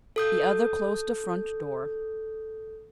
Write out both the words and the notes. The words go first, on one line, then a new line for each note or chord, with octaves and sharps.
The other closed the front door.
A4 D#6 G6